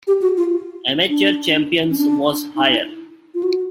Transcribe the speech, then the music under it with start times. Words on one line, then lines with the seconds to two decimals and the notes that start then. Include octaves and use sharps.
Amateur Champions was higher.
0.08 G4
0.22 F#4
0.37 F4
1.09 D4
1.91 C#4
1.98 D4
2.56 D#4
2.71 E4
3.34 F4
3.43 F#4